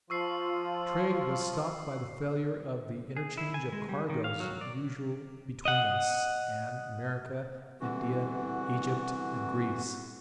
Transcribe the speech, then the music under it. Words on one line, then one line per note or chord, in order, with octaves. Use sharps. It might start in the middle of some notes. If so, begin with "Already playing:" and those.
Trade was stopped by the failure of the interchange of cargoes usual between us, and America, India, Egypt and Greece.
F3 F4 C#6 E6 C7
G#4
E4
G#5
G#3
G3
D#3
F5
F#3
D5
D#5 F#5
C2 D3 E3 F#4